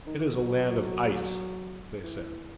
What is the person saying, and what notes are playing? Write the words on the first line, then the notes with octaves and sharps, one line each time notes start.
"It is a land of ice," they said.
D#3
E3
F#3
E3